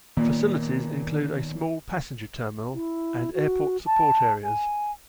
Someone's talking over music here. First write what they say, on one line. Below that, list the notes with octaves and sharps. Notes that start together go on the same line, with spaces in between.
Facilities include a small passenger terminal and airport support areas.
A#2 D#3 B3
E4
F#4
A5
G#5